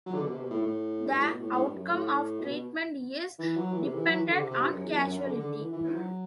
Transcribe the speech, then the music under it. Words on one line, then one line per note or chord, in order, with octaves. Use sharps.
The outcome of treatment is dependent on causality.
F#3
D3
B2
C3
B2
A2
A2
G2
A2
B2
A2
A2
G2
F#2
A2
B2
B2
E3
F#3
E3
C3
E3
F#3
E3
D3
C3
C3
G2
F#2
E2
F#2
F#2
F#2
D3
D3
D3
E3
E3
E3
F#3